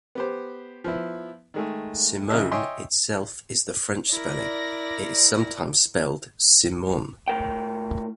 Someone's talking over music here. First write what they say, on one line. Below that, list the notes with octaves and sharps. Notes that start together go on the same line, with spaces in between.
"Simone" itself is the French spelling; it is sometimes spelled Simonne.
B3 G4 C5
F3 B3 E4
D#3 G#3 A3
A#1 C#3 D#5 E5
C#5 D#5 E5 G5 G#5 C6
E4 A#4 D5 A#6
A2 A#4 G5